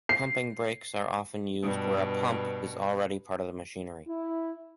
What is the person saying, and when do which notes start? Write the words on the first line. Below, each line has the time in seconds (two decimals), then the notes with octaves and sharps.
Pumping brakes are often used where a pump is already part of the machinery.
0.09 C7
1.63 G2 B2
4.07 E4